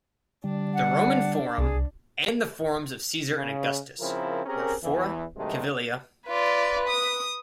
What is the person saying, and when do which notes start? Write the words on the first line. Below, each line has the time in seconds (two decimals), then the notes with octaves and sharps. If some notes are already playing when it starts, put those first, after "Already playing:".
The Roman Forum, and the Forums of Caesar and Augustus were Fora Civilia.
0.44 D3 G3 D4
0.74 F#5
1.58 C2 G#4
3.34 C#3
4.01 C#3 F3 C4 E4 A#4
4.46 C4 C#4 G4 G#4 A#4
4.83 E2 E3
5.37 G2 C3 D#3 F#3 G#3 A3
6.29 F4 B4 D5
6.89 D#6